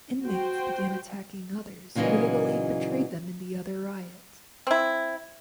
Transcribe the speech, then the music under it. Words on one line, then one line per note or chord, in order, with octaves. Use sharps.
Inmates began attacking others who they believed betrayed them in the other riot.
F#4 C5 G5
A#2 C#3 E3 F#3 D#4 D#5
C4 E4